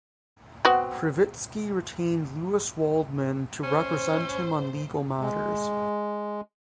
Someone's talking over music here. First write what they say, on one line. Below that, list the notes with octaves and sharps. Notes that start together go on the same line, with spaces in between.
Krivitsky retained Louis Waldman to represent him on legal matters.
B3 C4 F#4
C#4 C5
G#3